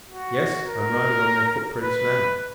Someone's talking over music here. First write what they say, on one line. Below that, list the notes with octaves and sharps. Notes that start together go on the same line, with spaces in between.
"Yes, I'm riding on their footprints now."
F#4
A#4
B4